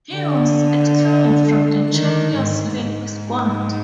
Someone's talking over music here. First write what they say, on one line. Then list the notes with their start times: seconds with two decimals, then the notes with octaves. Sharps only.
He was excluded from the Champions League squad.
0.15 D3
1.91 D#3
2.35 G#2
2.79 G#2